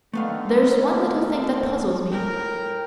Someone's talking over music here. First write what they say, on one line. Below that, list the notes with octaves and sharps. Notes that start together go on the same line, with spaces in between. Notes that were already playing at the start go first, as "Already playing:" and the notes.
But there's one little thing that puzzles me.
D3 D#3 A3 B3 F5
A2 A#4 G5